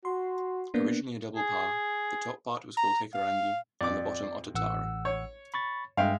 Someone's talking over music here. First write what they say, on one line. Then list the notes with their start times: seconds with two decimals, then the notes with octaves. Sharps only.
Originally a double pa, the top part was called Hikurangi and the bottom Otatara.
0.05 F#4 C6
0.74 A#3 B3 D4
1.37 G#4
2.77 A#5
3.14 F5
3.81 F2 D5 D6
4.55 A1 F#5 E6
5.05 C#5
5.54 B5 C#6 A6
5.97 G2 G#3 E5 F5 G5